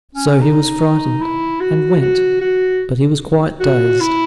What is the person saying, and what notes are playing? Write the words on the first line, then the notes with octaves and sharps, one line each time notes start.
So he was frightened, and went; but he was quite dazed.
C#4
D#4
E4
F#4
F#4
F#4
F#4
E4